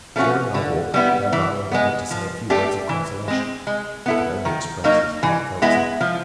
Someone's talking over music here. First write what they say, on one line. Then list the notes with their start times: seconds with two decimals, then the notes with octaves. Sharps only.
During our walk, Clerval endeavoured to say a few words of consolation; he could only express his heartfelt sympathy.
0.16 F3 A3 C#4 F#4
0.54 D3
0.94 G3 B3 E4
1.33 E3
1.71 G#3 B3
2.11 F3
2.50 A3 D4 G4
2.89 E3
3.28 G#3 C4
3.67 G#3
4.06 B3 E4 A4
4.45 D#3
4.84 F#3 A#3 D#4
5.23 E3
5.62 G#3 B3 E4
6.01 F3